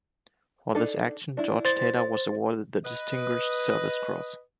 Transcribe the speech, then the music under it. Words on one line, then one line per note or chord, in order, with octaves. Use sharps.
For this action, George Taylor was awarded the Distinguished Service Cross.
D4 D#4 A4
D4 E4
C5 A6
B4 D#5